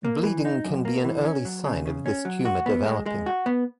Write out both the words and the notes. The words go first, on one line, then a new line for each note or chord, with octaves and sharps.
Bleeding can be an early sign of this tumor developing.
A#3
E3
D#4
F#2
A#3
E3
C#4
F#3
C#3
C#3
C#4
F#3
F#4
B3
G#3
G#3
F#4
B3